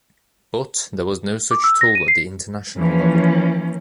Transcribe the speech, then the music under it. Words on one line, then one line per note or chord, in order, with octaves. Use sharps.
But, there was no such tool at the international level.
D6
E6
A#6
D#7
C7
E3 F3 A#3 C#4